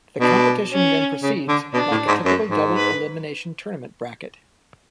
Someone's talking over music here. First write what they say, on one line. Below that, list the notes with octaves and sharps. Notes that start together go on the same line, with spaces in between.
The competition then proceeds like a typical double elimination tournament bracket.
B2 D4
C#4
C#3
D3
B2 D4
A2
G#2
F#2
G#2
B4